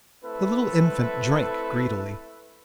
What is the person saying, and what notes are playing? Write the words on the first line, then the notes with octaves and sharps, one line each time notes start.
The little infant drank greedily.
A3 C4 E4 A4 B4 E5